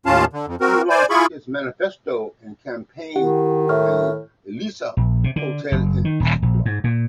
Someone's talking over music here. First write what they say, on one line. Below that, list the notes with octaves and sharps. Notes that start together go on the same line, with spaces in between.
He launched his manifesto and campaign at the Alisa Hotel in Accra.
D#2 A2 C#4 F4 F5 A5
D3
F2
C4 F#4 A#4
C5 D5 G#5
E4 F4 G#4 B5 C#6
D#3 E4 G4 F#5
A2 E5 C#6 F6
A#1
C3
D3
F#1
D#3
D#1
A#1
G#2
A#2